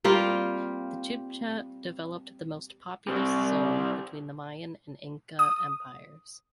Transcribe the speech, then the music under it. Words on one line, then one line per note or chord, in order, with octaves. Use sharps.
The Chibcha developed the most populous zone between the Mayan and Inca empires.
G3 A#3 C4 F4
C3 G3
D#6